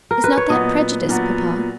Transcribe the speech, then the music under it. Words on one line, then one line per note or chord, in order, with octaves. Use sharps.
"Is not that prejudice, papa?"
A#4
B4
C#5
A#2 F#3 B3 D#5
A#2 F#3 B3